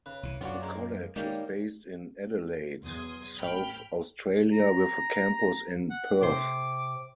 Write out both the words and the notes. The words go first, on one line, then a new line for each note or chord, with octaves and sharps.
The college is based in Adelaide, South Australia with a campus in Perth.
C#3 B4
C2 E3
F#2 B3 C#4 D4 F4 F#4
G#3 A#3
D#3 G3 G#3 A#3 C#4
E2 F#3 C6 D#6 G#6
A1 G5 B5 F6
A#5
F#5
C3 C5 D6